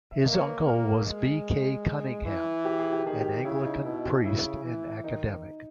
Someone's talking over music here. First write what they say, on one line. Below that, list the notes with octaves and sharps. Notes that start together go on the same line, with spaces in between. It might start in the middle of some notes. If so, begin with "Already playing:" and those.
His uncle was B. K. Cunningham, an Anglican priest and academic.
E5
A#3 D#5
C#5
B4
A#3 A#4
G#3
E3
G4
G#4
G4
D#3 G#4
G4
C#3 E4
D#4
B2 E4
G4
C#3 E4
E3
D#3 D#4